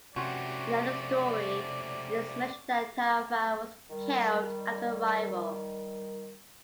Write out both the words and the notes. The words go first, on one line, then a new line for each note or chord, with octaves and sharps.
In another story, it is mentioned that Tarafa was killed after arrival.
C3 A3 C4 C#4 F#4 C5 D5
D#3 G3